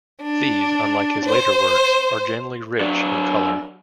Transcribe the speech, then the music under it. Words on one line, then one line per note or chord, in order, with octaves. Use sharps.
These, unlike his later works, are generally rich in colour.
D4
C5
F#3 D4